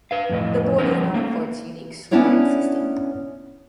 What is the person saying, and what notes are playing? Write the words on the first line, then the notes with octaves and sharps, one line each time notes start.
The Board is known for its unique scoring system.
B4 F5
F2 A2 E3 D#5
F3 G3 C#4 D#4 A#4
A3 A#3
B3 C#4 D4 E4 C#5 D5